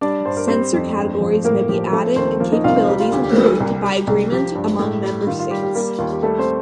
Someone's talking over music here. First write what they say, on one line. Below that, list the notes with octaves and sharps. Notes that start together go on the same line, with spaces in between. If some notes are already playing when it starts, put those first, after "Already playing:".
Sensor categories may be added and capabilities improved by agreement among member states.
G3 D4 D5
G2 C5
A#4
G3 C4 C5
F2
G2
F3
A2 A#3 A#4
F3 G4
F3 A3 A4
D#2 C4 C5
F3 A#3 A#4
D#4 D#5
C2 F4 F5
C4 C5
G3 G4
F4
D2 G4
G4
G3
C2
G3
C2
F3 G4
G2
A2
G3
D#3 F4
F4
G3 G4
G4
G3 A#3 A#4
D#2 F4
G4
G3 A3 A4
C4 C5